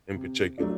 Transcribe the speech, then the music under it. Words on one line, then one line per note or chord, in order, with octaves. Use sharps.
in particular?
C3
F#3 A3 D4